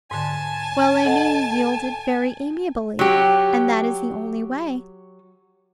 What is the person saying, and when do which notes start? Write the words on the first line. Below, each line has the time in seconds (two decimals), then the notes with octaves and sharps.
'Well, Amy, you yielded very amiably, and that is the only way.
0.11 G#2 D3 G#5 A5
1.05 A4 D#5 F#5
2.99 F#3 G4